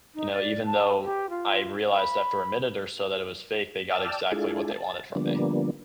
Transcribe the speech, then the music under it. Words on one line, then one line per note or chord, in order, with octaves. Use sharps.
you know, even though I realized after a minute or so that it was fake, they got exactly what they wanted from me.
D#4
D5
A5
G4
F4
B5
D5 G5 A5 E6 F6
G#3 D4 E4 F4 G#4 A4
A5
D3 F3 G3 A#3 B3 D4